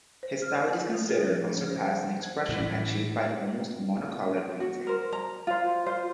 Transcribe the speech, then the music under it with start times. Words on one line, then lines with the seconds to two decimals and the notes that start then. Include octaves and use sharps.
His style is considered unsurpassed in expression achieved by almost mono-colored painting.
0.23 C5
0.42 F6
0.72 F4
0.94 F4
1.09 G#4
1.25 F3
1.49 C#4
1.70 C5
1.86 F#5
2.03 C5
2.23 G#6
2.49 A2 E3
4.60 F#4
4.87 A#4 C5
5.12 A#5
5.47 F4 C5
5.86 F4 C5